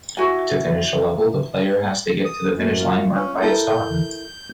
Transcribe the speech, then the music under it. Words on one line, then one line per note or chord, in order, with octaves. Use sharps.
To finish a level, the player has to get to the finish line marked by a star.
E4 F#4 G#5
D#6
F#2
F4
C#4
E4 A4 A#4 G6